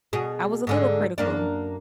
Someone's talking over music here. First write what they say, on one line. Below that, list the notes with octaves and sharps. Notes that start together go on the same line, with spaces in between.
I was a little critical,
B2 G#4
G#2 D3 G#4
F#2 A#3 D4